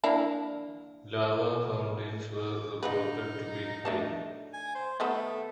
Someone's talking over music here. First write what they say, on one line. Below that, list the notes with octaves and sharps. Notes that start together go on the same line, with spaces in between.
Lava fountains were reported to be high.
A#3 D4 E4
D3 D#4 F4 B4
A3 D4 A5
G#5
C5
D#3 A3 B3 A4